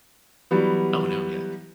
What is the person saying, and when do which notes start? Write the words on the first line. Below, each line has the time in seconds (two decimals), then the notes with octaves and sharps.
Oh no, yeah.
0.51 E3 F#3 G3 B3